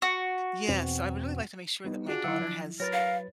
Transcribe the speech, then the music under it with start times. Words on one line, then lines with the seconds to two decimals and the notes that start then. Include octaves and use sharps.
yeah, so I would really like to make sure that my daughter has,
0.02 F#4
0.68 E2 B2 C4
1.85 G3 B3 D#4
2.09 D4 F4 F#4 G#4
2.24 D3 F#3 E4 F5 F#5
2.40 F3
2.80 F#3 A#4 B4 C#5 A6
2.93 F5